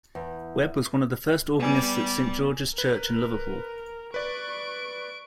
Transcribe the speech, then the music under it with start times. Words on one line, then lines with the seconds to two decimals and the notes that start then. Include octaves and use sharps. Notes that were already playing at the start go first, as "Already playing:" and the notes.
Webbe was one of the first organists at Saint George's Church in Liverpool.
0.15 E2
1.59 G3 B3 D5 G#5
2.78 A#4 B4
4.14 B4 D5 C#6 D7